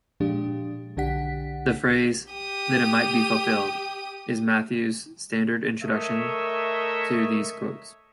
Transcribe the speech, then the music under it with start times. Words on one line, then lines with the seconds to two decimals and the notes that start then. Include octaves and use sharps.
The phrase "that it might be fulfilled" is Matthew's standard introduction to these quotes.
0.20 A#2 F3 G#3 D4 G4
0.97 B1 D3 D4 G4 F#5 B6
2.33 G4 D#6
5.83 A3 A#4 C#5 D#5 E5